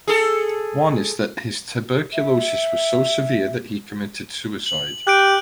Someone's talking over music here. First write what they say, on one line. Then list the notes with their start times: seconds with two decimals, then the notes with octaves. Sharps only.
One is that his tuberculosis was so severe that he committed suicide.
0.08 G#4 A4
2.13 E5
4.66 F#7
5.07 G4 F#6 G6 D7